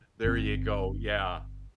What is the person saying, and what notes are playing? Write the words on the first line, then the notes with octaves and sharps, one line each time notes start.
There you go, yeah,
G1 C4